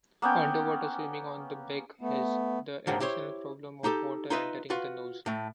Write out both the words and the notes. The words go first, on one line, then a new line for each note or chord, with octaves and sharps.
Underwater swimming on the back has the additional problem of water entering the nose.
A#3 B3 C#4 G5
A3 B3
D#2 G#2 D3 D#3
E4 G4 C5 C#5
D#4 G4 A4
D#4 F4 B4 D#5 E5
F4 F#4 B4
A2 A3